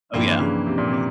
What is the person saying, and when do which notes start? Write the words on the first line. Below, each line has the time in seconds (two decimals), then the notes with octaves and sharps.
Oh, yeah, oh, yeah.
0.14 G2 F3 A#3 C4 E4
0.28 E3
0.40 C#3
0.66 C3
0.78 A#2
0.88 C3